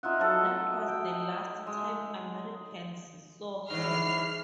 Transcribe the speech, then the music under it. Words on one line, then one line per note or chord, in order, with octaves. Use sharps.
That was the last time Americans saw her.
D#4 F4 E5 F#5
F#3 A4
G5
G#3
G#2 E3 F6 C7